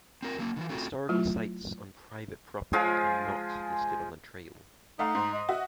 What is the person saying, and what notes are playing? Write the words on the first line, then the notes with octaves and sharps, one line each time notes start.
Historical sites on private property are not listed on the trail.
C4 F4 A#4
F#3 A#3 C#4
D3 E3 F4
A3 C4 F4 F#4
F#3 A3 E4 F4
F3 G#3 F4 G#4
A3 D#4 F5 F#5
G#2
D#5
F#4 E5